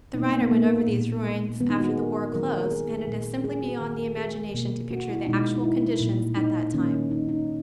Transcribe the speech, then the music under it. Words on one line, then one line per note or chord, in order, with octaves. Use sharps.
The writer went over these ruins after the war closed and it is simply beyond the imagination to picture the actual conditions at that time.
B2 A#3 D#4
B3
A#3
B3
A#3
A#2 A#3
D#3 G#3 B3
D#4
F#4
G#4
A#4
D#3 F#3 A#3 A#4
A#4
G#4
G#4
A#2 F#3 A#3
G#4
F#4
D#3 A#3 G#4
A#4
G#4
B2 A#3
F#4
E4
B2 G#3 D#4
D#4
E4
A#2 F#3 A#3
D#4
D#3 A#3 C#4
D#4
D#4